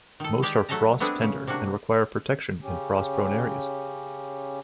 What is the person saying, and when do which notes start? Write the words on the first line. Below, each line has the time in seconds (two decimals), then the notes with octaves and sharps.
Most are frost-tender and require protection in frost-prone areas.
0.20 D#3 A4
0.42 G#3 G4 D5
0.69 F#3 A3 A4 E5 A5 A#5
1.00 A3 B3 C4 D4 G#4
1.22 C#3
1.47 C3 A#3 D4 F#4
2.61 C#3 C#4 G4